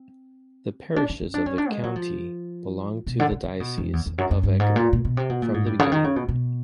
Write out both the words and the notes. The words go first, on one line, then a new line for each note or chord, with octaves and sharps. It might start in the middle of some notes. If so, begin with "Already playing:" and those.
The parishes of the county belonged to the Diocese of Eger from the beginning.
Already playing: C4
D4
C#4
C#4
D4
C#4
D4
G#3
F#3
F3
B2
D3
C#3
C#3
B2
F2
E2
E2
F#2
F#2
G2
G#2
A#2
A#2
B2
C3
B2
A#2
G#2
G2
C#3
D#3
C#3
B2
B2